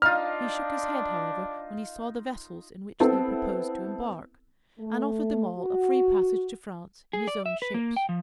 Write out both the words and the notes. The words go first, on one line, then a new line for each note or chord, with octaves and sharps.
He shook his head, however, when he saw the vessels in which they proposed to embark, and offered them all a free passage to France in his own ships.
D4 D#4 F4 D#5 F5 F6
B3 C4 E4 A4
A3
F#4
G#4
D5
E5
B4
A#3
G5
F3